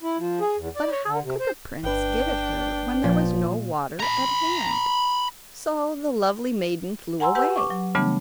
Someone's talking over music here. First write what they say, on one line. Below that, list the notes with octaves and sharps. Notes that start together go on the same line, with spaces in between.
But how could the prince give it her when there was no water at hand? So the lovely maiden flew away.
E4
F3
G#4
E2
D5
C#5
D3
C3
C5
G1 D4 B4 G5
A#2 F3
A#5 B5
F#5 G#5 A#5 C6 E6
G4 B4 F#5 G#5 E6
C#6 D6
F#3
C#3 E3 G3 A3 B3 D4